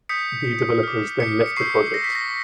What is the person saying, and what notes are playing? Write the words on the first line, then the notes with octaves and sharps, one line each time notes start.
The developers then left the project.
D#6 G6 B6 C#7
D6 F6
B6 C#7
C#7
C#6 E6 G6 C7
A#6
B6
A#6